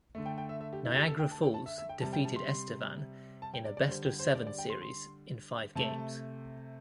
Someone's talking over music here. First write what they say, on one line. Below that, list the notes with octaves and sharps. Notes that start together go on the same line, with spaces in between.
Niagara Falls defeated Estevan in a best-of-seven series in five games.
D3 A3
G5
G5
E5
E5
G4
E4
G4
A4
G5
A5
G5
A5
E5
E5
G5
C3 G3 A5
G5
A5
C6
C6
A5
G5
D5
D5
D3 G3 C5
G4
C5
D5
D5
G5
C6
C6
C3 A3 A5